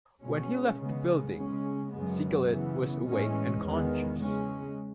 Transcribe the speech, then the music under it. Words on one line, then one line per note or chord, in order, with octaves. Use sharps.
When he left the building, Sigalet was awake and conscious.
B2 G#3 C#4
C#3 G#3 B3
C#3 G#3 C#4
F#2 C#3 G#3 B3
C#3 E3 B3
A2 E3 G#3 C#4
E2 D#3 G#3 B3
C#3 G#3 C#4